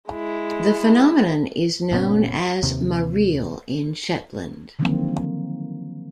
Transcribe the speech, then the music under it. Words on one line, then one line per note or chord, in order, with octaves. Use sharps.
The phenomenon is known as "mareel" in Shetland.
G#3 E4
F#1 A#2 B3 C#4
D#2 C3
D3 D#3 F3 F#3 A#3 C4